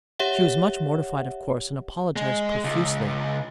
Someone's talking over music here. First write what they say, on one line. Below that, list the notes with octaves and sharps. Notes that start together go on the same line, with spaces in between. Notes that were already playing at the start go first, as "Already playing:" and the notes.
She was much mortified of course and apologized profusely.
G4 C#5 E5 F#5
G#3
C#2